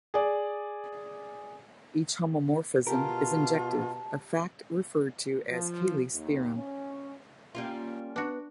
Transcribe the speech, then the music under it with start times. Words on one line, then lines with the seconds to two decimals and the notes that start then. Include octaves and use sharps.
Each homomorphism is injective, a fact referred to as Cayley's theorem.
0.14 G#4 D5
2.87 B2 F4 G4 A#4 A5
5.51 F3
6.14 D#2
6.57 C#4
7.55 G3 A#3 C#4 F4
8.16 B3 D4 F#4